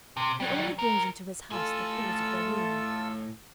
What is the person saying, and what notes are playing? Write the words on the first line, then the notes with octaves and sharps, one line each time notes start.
He only brings into his house the cause of their ruin.
C3
F#3 G3
F3 A#4
A2 F4 A4 G#5 E6